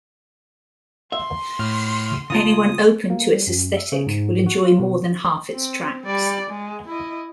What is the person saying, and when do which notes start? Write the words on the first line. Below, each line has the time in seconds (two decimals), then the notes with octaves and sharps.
Anyone open to its aesthetic will enjoy more than half its tracks.
1.12 E5 C6
1.59 A2 F6
2.30 C#3 F4 A5 D#6
3.10 A#3
3.33 G3
3.47 F#2
3.77 E5
3.92 C#3
4.06 G#2
4.46 F#4
4.65 F4
4.79 B2
5.53 C4
6.06 G3 D5
6.50 G#3
6.88 E4 D#5